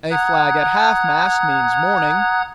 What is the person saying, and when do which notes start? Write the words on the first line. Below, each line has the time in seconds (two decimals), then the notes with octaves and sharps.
A flag at half-mast means mourning.
0.10 F#5 A#5 D#6 F#6 G#6